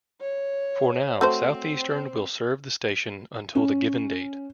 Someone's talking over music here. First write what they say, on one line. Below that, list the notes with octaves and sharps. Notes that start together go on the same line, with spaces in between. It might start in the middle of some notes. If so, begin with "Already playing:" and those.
For now Southeastern will serve the station until the given date.
C#5
A3 C4 F#4 C5
C#4